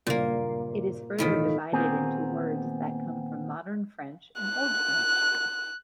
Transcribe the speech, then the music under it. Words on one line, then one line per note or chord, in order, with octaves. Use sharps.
It is further divided into words that come from Modern French and Old French.
F#1 G2 A#2 A#3
E1 A1 A2 D#3 F3 B6
D#2 A#2 B3 C4 G#4 A#4
F#6